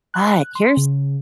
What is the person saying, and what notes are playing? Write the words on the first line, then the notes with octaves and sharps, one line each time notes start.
But here's
F#6
C6
C#3